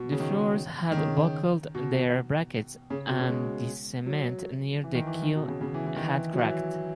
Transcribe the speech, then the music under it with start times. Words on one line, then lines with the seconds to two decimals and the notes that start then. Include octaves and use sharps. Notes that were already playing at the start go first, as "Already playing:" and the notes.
The floors had buckled their brackets and the cement near the keel had cracked.
Already playing: B2
0.12 C#3
0.20 D#3
0.92 D#3
0.97 C#3
1.75 B2
2.90 C#3
3.10 B2
3.19 C#3
3.29 G#3
4.06 F#3
4.83 E3
4.95 D#3
5.06 E3
5.22 D#3
5.35 B2
5.48 C#3
5.61 C#3
5.74 E3
5.86 E3
5.96 D#3
6.05 E3
6.33 F#3
6.38 E3